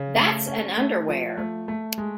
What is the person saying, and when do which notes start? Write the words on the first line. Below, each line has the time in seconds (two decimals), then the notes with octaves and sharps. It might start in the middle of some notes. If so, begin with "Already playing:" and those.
That's an underwear.
Already playing: C#3
0.18 A3
0.47 C#4
0.77 A3
1.08 F3
1.37 A3
1.68 A3
1.98 G#3